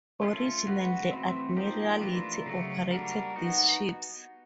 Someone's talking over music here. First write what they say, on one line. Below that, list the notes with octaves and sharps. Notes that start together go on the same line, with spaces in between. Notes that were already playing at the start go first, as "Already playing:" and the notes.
Originally the Admiralty operated these ships.
A3 C#4 F4 A4
G#3 C#4 F#4 B4
E3 A3 C4
F3 A#3 D#4 G4
E3 A3 D4 F4 A#4
C#3 F#3 A3
G3 A#3 D4 F#4 A#4
B3 D#4 F#4